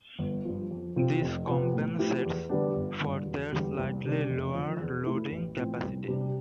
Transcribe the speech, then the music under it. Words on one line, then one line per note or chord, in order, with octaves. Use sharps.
This compensates for their slightly lower loading capacity.
G1
G2 F3
F2
C3 F3 C4 F4
F1
F2 C3 F3 B3
A2
F3 A3 E4 G4
E2
D3 G3 B3 D4
G1
D3
G2
E1
E2 D3 G3
C2
C3 G3 D4
F1
F2 D3
E2
B2 A3 E4
A1
A2 F3 C4
C2
C3 G3 D4 G4